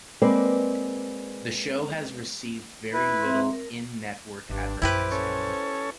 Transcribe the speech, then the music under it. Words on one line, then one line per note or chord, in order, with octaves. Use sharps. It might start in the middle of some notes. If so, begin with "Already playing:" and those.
The show has received very little in-network advertising.
G#3 A#3 C4 B4 C5 D5
E4 B4
C4 E5 C6
A#4
G#1 G2 D4
A#1 F#2 E4 G4 B4 C5
C#4 A4 C#5